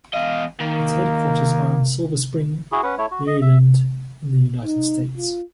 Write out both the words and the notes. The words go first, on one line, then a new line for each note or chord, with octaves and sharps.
Its headquarters are in Silver Spring, Maryland in the United States.
E2 D#5 F5
D#3 A#3
E4 F#4 G#4
C#4 B4 F#5
A3 E4 C#5
F#4
D#5
E5
D#4
F4